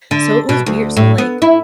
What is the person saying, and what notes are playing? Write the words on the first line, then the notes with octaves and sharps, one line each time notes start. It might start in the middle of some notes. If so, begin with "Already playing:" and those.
So it was weird. So like,
D3
B2
D2
A2
B3
E4